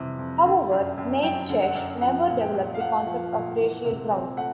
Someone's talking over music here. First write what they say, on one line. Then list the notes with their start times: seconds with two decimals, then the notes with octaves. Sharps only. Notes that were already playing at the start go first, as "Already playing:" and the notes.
However, Nietzsche never developed the concept on racial grounds.
Already playing: F2 C3 E3 G3
0.19 F2
0.45 D3
0.71 F#2
0.98 F#2
1.23 F#3 G5
1.50 D3
1.63 F#5
1.75 F#2
2.01 F3 F#5
2.28 A#2
2.41 G5
2.54 A#2
2.74 F5
2.80 A3 F#5
3.06 F3
3.32 A#2
3.58 E3
3.84 C3
4.11 C4
4.37 A3 F#5